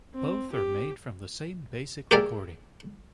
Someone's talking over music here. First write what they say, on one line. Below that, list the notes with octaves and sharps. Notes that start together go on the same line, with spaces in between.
Both are made from the same basic recording.
C4
G4
G4 G#4 A#4 D5 E5 F5